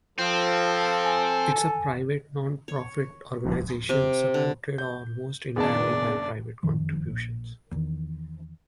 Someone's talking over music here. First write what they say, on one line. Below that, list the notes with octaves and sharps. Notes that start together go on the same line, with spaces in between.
It is a private, non-profit organization, supported almost entirely by private contributions.
F3 C4 A4
G#5
C#5
C3
D3
G6
F#1 F#2 D#3 B3 D4 G#4 D5 A5
F1 F#2 D#3 F3
A#1
E2 D#3